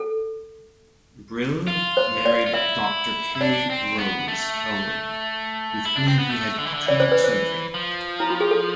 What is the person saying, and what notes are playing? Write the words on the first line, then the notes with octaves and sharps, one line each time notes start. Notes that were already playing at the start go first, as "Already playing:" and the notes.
Brill married Doctor K. Rose Owen, with whom he had two children.
Already playing: A4
F4
C5
D5
F4
E4 E5
E4
D4 D5
C4
B3
A3
E4
D4
C4
B3
A3
D3
E3
D3
E3 D5
C5
B4
C5
F3
E4
F4
G#4
A4